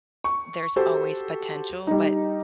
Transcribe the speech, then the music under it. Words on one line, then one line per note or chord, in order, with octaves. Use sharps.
there's always potential, but,
C#6
F#4 G4 A4 C5
G3 D#4